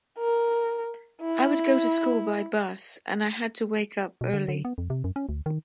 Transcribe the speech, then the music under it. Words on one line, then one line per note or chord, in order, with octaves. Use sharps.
I would go to school by bus and I had to wake up early.
A#4
E4
B2
D3
D3
B3
F2
C3
F#2
C#4
D2
D#3